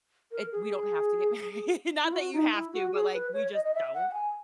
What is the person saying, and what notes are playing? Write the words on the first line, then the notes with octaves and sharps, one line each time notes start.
it we don't have to get married, not that you have to, but like we just don't.
A#4
G#4
E4
F#4
D#4
E4
F#4
G#4
B4
C#5
D#5
D#5
E5
F#5
F#5
G#5